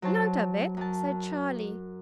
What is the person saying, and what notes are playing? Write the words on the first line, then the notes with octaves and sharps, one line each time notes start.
"Not a bit," said Charlie.
F#3 C5 C#5 A5
F#2 A5